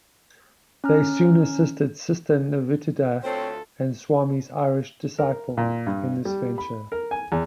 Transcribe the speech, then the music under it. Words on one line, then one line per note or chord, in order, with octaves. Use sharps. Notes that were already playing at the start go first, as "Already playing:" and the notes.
They soon assisted Sister Nivedita, the Swami's Irish disciple, in this venture.
C#4 A#5 F6
D2 C4 F4 A4 C#5
A#4
A#2
G2
G3
B5
A#4
G#5
E2